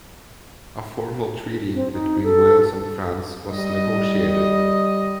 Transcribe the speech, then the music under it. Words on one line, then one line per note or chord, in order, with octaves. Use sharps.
A formal treaty between Wales and France was negotiated.
C4
D#4
A4
G3 D#5